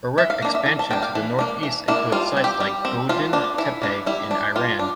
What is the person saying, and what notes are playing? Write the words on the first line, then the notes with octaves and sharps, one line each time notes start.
Uruk expansion to the northeast included sites like Godin Tepe in Iran.
E3 E5
F5
A#3 D4
E5
E3
A5
A#3 D4 G5
F5
E3
A#3 D4
E3
A#3 D4 E4
G3 F4
C4
G4
G3
C4
E3 F4
A#3 D4
E3 E4
A#3 D4
G3 E4
D4
G3 F4
D4